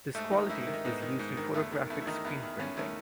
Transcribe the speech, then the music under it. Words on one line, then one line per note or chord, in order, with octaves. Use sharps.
This quality is used in photographic screen-printing.
G#2 A3
D#3 D#4
G#2 E4
E4
D#3
D#4
G#2 B3
D#3
G#2
D#3
E2 A3
D#3
E2 A3
E4
D#3 D#4
E2
D#3
E2 C#4
D#3 A3